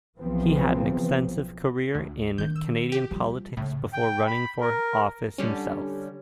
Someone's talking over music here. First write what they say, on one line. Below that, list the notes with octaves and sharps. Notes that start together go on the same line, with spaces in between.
He had an extensive career in Canadian politics before running for office himself.
B1 C#3 E3 F3 B3 C4
D2
D#3 D4 G6
E6
G4
F3 G3
A2 C#3
G5
B5
A#4
D3 G3 C#4